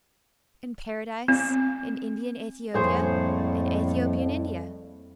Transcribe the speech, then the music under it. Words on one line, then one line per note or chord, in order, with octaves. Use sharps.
In Paradise--in Indian Aethiopia--in Aethiopian India.
C4
F2 A2 F3 G3 A#3 G#4 C5 C#5